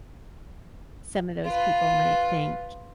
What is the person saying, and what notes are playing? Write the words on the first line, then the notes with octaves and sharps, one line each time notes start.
some of those people might think,
F4 B4